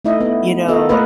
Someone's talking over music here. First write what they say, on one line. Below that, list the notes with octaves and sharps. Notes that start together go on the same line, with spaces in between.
you know,
A3 D#4 E4 D#5 E5
B3
B3 F4 A4 D#5
A3 A#3 A#4 B4 D#5